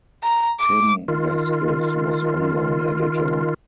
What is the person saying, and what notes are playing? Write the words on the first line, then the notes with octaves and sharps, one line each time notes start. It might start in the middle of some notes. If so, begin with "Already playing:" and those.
Tim Vasquez was online editor.
A#5
D6
D#3 F4